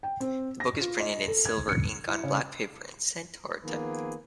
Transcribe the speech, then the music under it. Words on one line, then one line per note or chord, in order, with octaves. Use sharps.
The book is printed in silver ink on black paper in Centaur type.
G5
C4
A#6
F4
D#5
A4
G#6
C#7
E4
C#3
D#3 F3 A#3 B3 G#4 B4